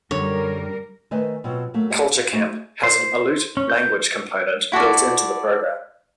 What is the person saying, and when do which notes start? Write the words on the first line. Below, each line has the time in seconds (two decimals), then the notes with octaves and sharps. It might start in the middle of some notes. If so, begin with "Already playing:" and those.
Culture Camp has an Aleut language component built into the program.
0.11 F#2 D3 G3 A#4 C#5
1.11 D#3 A3 B4 C5 D#5 G#5
1.44 B2 F#3 C4 F4
1.74 F#3 A3 A#3
1.90 G4 C5 D#5 E5 F#5
2.15 F5
2.33 A3 D#4 F#4 G#4
2.83 C5
3.57 C#4
3.70 G6
4.72 E4 F#4 A4 D5